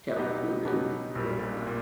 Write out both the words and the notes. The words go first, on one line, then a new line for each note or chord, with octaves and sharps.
kept moving. Yeah.
B2 F#3 B3 D#4 G4
B2 F#3 B3 D#4 G4
A#1 A#2 G3
A#2